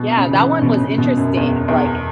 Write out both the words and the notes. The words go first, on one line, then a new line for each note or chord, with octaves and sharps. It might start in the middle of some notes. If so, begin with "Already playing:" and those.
Yeah, that one was interesting, like,
Already playing: B2
C#3
E3
C#3
B2
C#3
B2
F#2
E2
E2